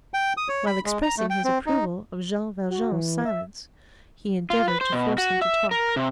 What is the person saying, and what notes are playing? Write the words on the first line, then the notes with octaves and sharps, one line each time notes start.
While expressing his approval of Jean Valjean's silence, he endeavored to force him to talk.
G5
D#6
C#5
B5
G#3
A#5
A3
G5
C4
D#4
F#4
E3
E5
F4
B4
C5
B2
F#4
E5
A#4
C3